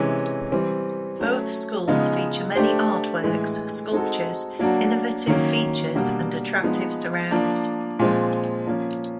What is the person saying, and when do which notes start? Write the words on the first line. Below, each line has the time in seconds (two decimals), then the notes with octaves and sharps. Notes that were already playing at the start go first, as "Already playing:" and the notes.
Both schools feature many artworks, sculptures, innovative features and attractive surrounds.
Already playing: C3 E3 G#3 C#4
0.52 E3 G3 C4
1.20 F#3 A3 C#4
1.87 C#3 F3 G#3 B3 D#4
2.55 A3 D4 G4 C5
3.24 A2 E3 G#3
3.92 G#3 C4 D#4 F#4 A4
4.59 F#3 A#3 D4 F#4
5.27 D#3 F#3 A#3 C#4
5.95 B2 G3 A#3 D4 F#4
6.63 F3 G#3 B3 D#4
7.31 F3 A#3 D4
7.99 A#2 F3 G#3 C4
8.67 F3 A#3 C#4